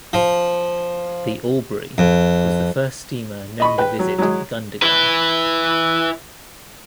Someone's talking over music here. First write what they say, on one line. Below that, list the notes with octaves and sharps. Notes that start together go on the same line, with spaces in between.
The 'Albury' was the first steamer known to visit Gundagai.
F3
F2
D#5 B5 C#6
B4 G5
F#3
F#3 G#3
E4 B4